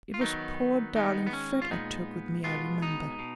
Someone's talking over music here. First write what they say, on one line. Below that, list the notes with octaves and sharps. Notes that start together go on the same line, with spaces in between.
It was poor darling Fred I took with me, I remember.
F4
D#3 F#3 B3 D#4
D#3 G#3 B3 D#4
B3
C#4
F4
A#2 G#3 B3 D#4
B2 G#3 B3 F4
D#4
B2